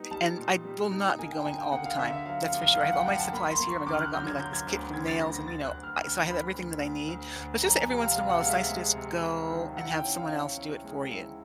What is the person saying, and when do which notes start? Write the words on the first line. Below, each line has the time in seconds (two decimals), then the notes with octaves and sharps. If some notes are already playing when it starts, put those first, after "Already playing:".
And I will not be going all the time, that's for sure. I have all my supplies here, my daughter got me, like, this kit for nails and, you know, I so I have everything that I need. But just that every once in a while, it's nice to just go and have someone else do it for you.
Already playing: G3 B3 D#4
0.11 G3 A5
0.38 A#2
0.65 G3
0.91 D#4
1.19 A#3 G#5
1.32 G5
1.45 D3 G#5
1.58 G5
1.72 A#3 F#5
1.86 F5
1.99 D3 E5
2.12 E5
2.26 F#3 F5
2.43 F5
2.53 F#2
2.61 F5
2.73 F5
2.79 F#2 F#5
2.93 F#5
2.99 G5
3.06 F#2 F#5
3.20 A5
3.33 A#3 B5
3.45 B5
3.51 C6
3.59 A#3
3.69 C#6
3.86 D3 D6
3.93 F6
4.01 F#6
4.13 F#3 G6
4.27 G#6
4.40 F#3 G6
4.53 G#6
4.67 D2
4.94 D3 G#6
5.08 A6
5.21 D2 A#6
5.34 A#6
5.48 D2 A6
5.65 F#6
5.74 D2
5.83 F6
6.01 D2 F6
6.28 D2 B5
6.55 D2
6.81 D2
7.08 D2
7.36 D2
7.62 F2 A#5
7.76 G#5
7.89 C3
8.02 F5
8.16 C3 F5
8.29 F#5
8.42 G#3 F5
8.50 E5
8.56 F5
8.70 G#3
8.96 C3
9.23 C3
9.50 D#3
9.77 E4 F#5
9.90 G5
10.04 C#4
10.17 F5
10.31 C#4
10.57 E4
10.84 G#3
11.11 E4